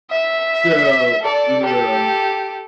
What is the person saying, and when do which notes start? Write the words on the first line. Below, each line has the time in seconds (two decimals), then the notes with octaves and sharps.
So, yeah.
0.11 E5
1.21 A4 D5
1.63 G4 A4